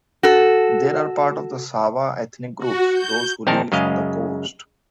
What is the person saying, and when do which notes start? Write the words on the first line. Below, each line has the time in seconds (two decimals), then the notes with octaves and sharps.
They are part of the Sawa ethnic groups, those who live on the coast.
0.23 F#4 A4
2.58 F#4
2.92 G6
3.47 A#1 D#3 C4 D#4 A#4 A5
3.72 F#2 C#3 G#3 D#5 F5